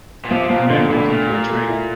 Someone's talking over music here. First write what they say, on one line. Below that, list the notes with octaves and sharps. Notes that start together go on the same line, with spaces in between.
A man walking near a tree.
A#2
C3 F3
A#2 F3
A#2 D3
A2 D3
A#2 A3
G4
A3
E4